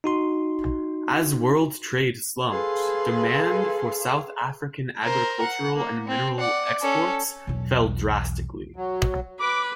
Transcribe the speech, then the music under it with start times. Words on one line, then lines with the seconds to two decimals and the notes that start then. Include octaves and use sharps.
As world trade slumped, demand for South African agricultural and mineral exports fell drastically.
0.04 D#4 F#4 C6
2.49 G#4 A4 B4 F5 C6
5.02 A#4 C5
5.42 F#5
5.76 A#3
6.08 C4
6.39 D5 F#5
6.82 C#4 A4
7.47 B1 E2
8.76 F#3
9.40 B4 D6